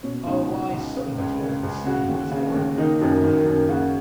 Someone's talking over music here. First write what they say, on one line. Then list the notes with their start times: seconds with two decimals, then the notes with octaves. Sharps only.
"Oh, I so much wanted to see you, Miss Thorn," said the latter.
0.03 B2 C#4
0.27 C#2 D#4
0.49 B2 F#4
0.73 C#2
0.95 C#3
1.18 C#2
1.40 C#3
1.63 C#2
1.86 C#3 F#4
2.09 D#2
2.32 C#3
2.55 D#2
2.78 D#3 D#4
3.01 F#2
3.24 D#3
3.46 F#2
3.69 C#3 F#4